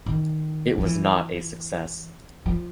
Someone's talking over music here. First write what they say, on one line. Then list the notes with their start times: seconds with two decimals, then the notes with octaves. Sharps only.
It was not a success.
0.06 D#3
0.78 F3
0.86 E3
2.46 F3